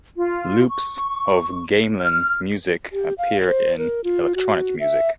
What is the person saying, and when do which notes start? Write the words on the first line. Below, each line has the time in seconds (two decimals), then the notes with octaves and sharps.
Loops of gamelan music appear in electronic music.
0.15 F4
0.67 C#6
1.99 F6
2.92 G4
3.18 F5
3.47 C5
3.78 A#4
4.04 F4
4.35 F#4
4.80 E5